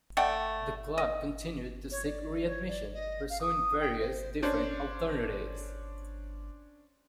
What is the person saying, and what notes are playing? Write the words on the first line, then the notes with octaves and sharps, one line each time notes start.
The club continued to seek readmission, pursuing various different alternatives.
A3 D5 F#5 G5
D#5
C#5
D5
C#5
D5
D#5
F5
D#6
G5
C5
C#4 D4 C5